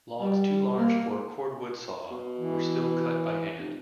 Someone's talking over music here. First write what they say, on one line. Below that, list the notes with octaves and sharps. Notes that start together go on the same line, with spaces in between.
Logs too large for a cordwood saw were still cut by hand.
G3
A#3
B2
E3
F1